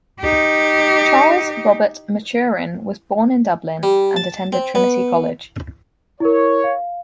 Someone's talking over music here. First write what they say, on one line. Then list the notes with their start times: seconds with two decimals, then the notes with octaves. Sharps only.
Charles Robert Maturin was born in Dublin and attended Trinity College.
0.20 D#4 G4
3.83 G3
4.16 A5
4.52 C4
4.75 B3
6.20 E4 A#4 C#5
6.64 F5